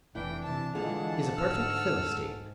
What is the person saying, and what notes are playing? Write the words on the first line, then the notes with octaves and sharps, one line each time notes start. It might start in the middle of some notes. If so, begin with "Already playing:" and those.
"He's a perfect philistine."
F1 E3 D4 E4 G5
C3 E3 A5
D3 E3 G#3 F4 G#4 F#5 A5
G#2 E6 F6